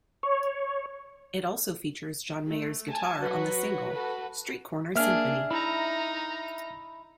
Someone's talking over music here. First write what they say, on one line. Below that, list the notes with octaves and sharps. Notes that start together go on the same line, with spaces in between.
It also features John Mayer's guitar on the single "Streetcorner Symphony".
C#5
A3
G#5 A5
F#3 F#4 B4
F#4 A4 B4
A#3 D4 G#4 E5 F6
D#4 E4 A#5